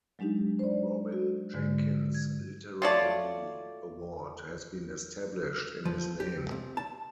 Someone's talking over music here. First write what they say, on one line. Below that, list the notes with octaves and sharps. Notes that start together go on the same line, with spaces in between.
The Robin Jenkins Literary Award has been established in his name.
F#3 G#3 D4 D#4 G4
C5 D5
F#4
G#2 D3 G#3
G#6
A3 F4 F#4 C#5 D5
F3
G4
C3
A5